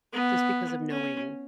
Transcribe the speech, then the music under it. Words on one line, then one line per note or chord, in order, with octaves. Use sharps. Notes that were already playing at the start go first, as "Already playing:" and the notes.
just because of knowing
B3
C#4